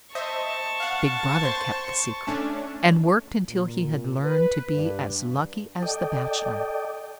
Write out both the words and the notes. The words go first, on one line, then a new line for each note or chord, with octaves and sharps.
Big Brother kept the secret, and worked until he had learned to be as lucky as the Bachelor.
C5 D#5 E5 A5 C#6
F5 F#5
C5 C6
A3 C#4 D4
A#2
B4
G2
A4 D5 D#5 G5